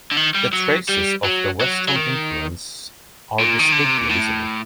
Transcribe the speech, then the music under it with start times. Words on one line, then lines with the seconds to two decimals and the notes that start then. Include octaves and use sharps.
The traces of the Western influence are distinctly visible.
0.12 D3
0.17 D#3
0.35 G3
0.53 F#3
0.89 G3
1.25 F#3
1.61 F#3
1.88 F#3
1.96 D#3
3.40 A#2
3.59 D#3
3.72 D3
3.84 C3
3.98 A#2
4.11 A2